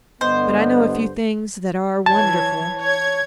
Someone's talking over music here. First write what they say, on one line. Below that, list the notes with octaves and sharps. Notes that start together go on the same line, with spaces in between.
But I know a few things that are wonderful.
G2 D3 B3 C5 D#5
E3 C#5 A5 G#6
C#5 G#6